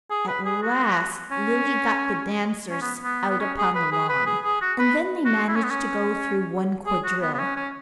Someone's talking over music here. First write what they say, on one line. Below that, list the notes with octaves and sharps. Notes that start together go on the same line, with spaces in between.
At last Lily got the dancers out upon the lawn, and then they managed to go through one quadrille.
G#4
B4
G#4
F#4
C#4
C#4
B3
B3
B3
C#4
G#4
B4
G#4
B4
G#4
G#4
F#4
B4
F#4
E4
C#4
B3
C#4
G#4
F#4
B3
B3
C#4
C#4